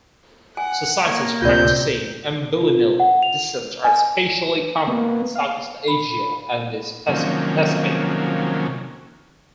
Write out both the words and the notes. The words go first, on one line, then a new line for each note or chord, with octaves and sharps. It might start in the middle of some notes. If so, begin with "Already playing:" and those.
Societies practicing ambilineal descent are especially common in Southeast Asia and the Pacific.
F#5 G#5
A#3 C#5 C#6
D2 C3 F4 A#4 D5 G6
F4
F#5
F7
G#5
A#3 B3
F5
B5
C3 D#3 F3 F#3 A#3 C#4